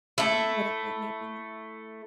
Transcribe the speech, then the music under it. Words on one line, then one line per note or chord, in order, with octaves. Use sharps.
you know, whatever it may be.
A3 E4